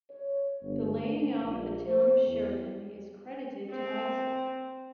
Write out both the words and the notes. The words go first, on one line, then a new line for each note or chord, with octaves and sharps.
The laying out of the town of Sheridan is credited to Isaac.
C#5
G1
A3
A#1
C5
E2
C4